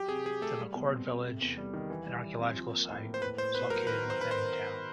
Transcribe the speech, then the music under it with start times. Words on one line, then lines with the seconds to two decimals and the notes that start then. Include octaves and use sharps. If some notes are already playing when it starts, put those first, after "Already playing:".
The McCord Village, an archaeological site, is located within the town.
Already playing: F#3 G4
0.09 C3 G#4
0.26 F#3 G#4
0.42 A3 A4
0.58 G3
0.75 B2
0.91 C4
1.08 G3
1.24 C3
1.41 E2
1.57 G3
1.73 D#3
1.90 E3
2.06 G3
2.23 E3
2.39 C4
2.56 F3
2.73 A#3
2.89 A2
3.05 A#3
3.14 C5
3.22 A2 B4
3.38 A2 C5
3.55 B3 B4
3.70 F#3 A#4
3.87 D#3 B4
4.04 B3
4.10 C5
4.20 D#3 B4
4.31 C5